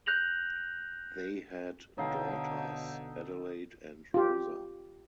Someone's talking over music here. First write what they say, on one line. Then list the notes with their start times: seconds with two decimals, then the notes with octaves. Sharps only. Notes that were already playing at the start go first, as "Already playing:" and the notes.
They had daughters Adelaide and Rosa.
0.06 F#6 G6 A#6 F7 F#7
1.98 B2 D3 D#4 A4 C#5 F5 G5
4.14 F4 G4